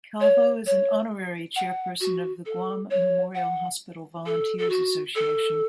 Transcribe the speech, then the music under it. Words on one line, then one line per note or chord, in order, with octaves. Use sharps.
Calvo is an honorary chairperson of the Guam Memorial Hospital Volunteers Association.
C#5
C#5
F#5
F#4
A4
C#5
F#5
A4
A4
F#4
A4